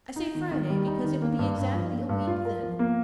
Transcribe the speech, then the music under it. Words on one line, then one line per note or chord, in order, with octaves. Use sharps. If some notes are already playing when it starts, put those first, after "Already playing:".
I say Friday because it will be exactly a week then.
D#4
D#3
D#3
G3
D#4
D#3
A#3
G2
G2
F3
A#3
G2
F4
A#4
F3
A#3